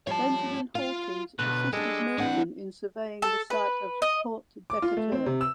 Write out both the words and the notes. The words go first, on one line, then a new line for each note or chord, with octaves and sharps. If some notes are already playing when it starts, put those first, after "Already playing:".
Benjamin Hawkins assisted Milton in surveying the site of Fort Decatur.
F3 G3 C#5 A5
F4 F5
B1 D3 B4
G3 G#3 D4 A4
E3 G3 C4 D4 F#5
A4
B4
D#5
D6
F4
A3
C4
C3
E6